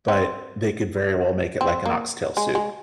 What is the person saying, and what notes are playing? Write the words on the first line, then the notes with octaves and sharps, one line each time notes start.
but they could very well make it like an oxtail soup.
C4
C4
A#3
G#3
G#3